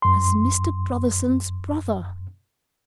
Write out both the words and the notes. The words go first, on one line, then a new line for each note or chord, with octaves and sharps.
"As Mr. Brotherson's brother."
F#2 C6